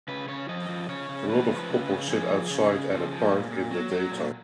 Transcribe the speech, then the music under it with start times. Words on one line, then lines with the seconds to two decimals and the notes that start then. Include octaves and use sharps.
A lot of couples sit outside at a park in the daytime.
0.08 C#3 B4
0.28 C#3 C#5
0.49 F3 D#5
0.69 F3
0.89 C#3 C#5
1.09 C#3
1.29 F3 B4
1.49 F3
1.70 C#3
1.90 C#3
2.10 F3 G#4
2.30 F3
2.50 C#3
2.71 C#3
2.90 F3
3.11 F3
3.31 A#2
3.51 A#2
3.71 F#3
3.91 F#3
4.11 A#2